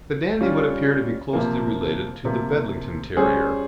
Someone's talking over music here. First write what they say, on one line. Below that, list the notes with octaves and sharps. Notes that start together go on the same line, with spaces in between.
The Dandie would appear to be closely related to the Bedlington Terrier.
G3 C#4 F4
C3 F3 A#3
C3 F3 A#3
G3 C#4 F4 G#4 C5